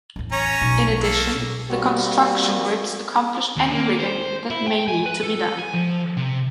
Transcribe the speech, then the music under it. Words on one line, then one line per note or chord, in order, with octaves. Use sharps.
In addition, the construction grips accomplish any rigging that may need to be done.
A1 E2
C#4 C#5 A#5
B1
A#3 A4
G3 A#3 C4 F#4
D#2
A#3
C5
E4
G5
G#5
B4
A4
G#5
F3
C3